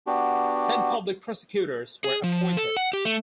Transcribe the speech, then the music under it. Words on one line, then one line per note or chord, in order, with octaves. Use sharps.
Ten public prosecutors were appointed.
B3 D4 F#4 G4
G#4
F3
A4
F#5
G4
A3